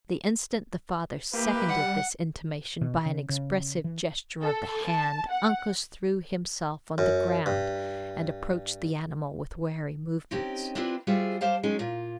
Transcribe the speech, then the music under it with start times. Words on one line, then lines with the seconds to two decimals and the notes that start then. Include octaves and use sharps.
The instant the father seconded this intimation by an expressive gesture of the hand, Uncas threw himself on the ground, and approached the animal with wary movements.
1.34 A#3 E4 G4 B4
1.69 G3 F#5
2.81 B2
3.06 C#3
3.29 C#3
3.84 E3
4.42 A4
4.87 A5
5.31 F#5
6.98 F#2
7.46 G2
10.31 C4 C#4 D#4 G4
10.75 B3 C4 D4 E4 F4 B4
11.07 G3 F4 F#4 G#4 C5 E5
11.41 G4 C5 F5 A5
11.63 D#3 F#3 G#3 C#4
11.79 A#2 F4